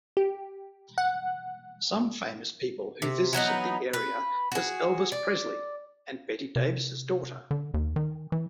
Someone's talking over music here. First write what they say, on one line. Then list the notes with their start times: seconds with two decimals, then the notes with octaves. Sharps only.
Some famous people who visited the area was Elvis Presley, and Betty Davis' daughter.
0.17 G4
0.98 F#5
3.02 C3
3.33 E3 F#3 B3 D#4
3.93 B4
4.52 F#4 G#4
5.12 D5
6.56 C3
7.51 D3
7.74 D#2
7.96 D#3
8.32 E3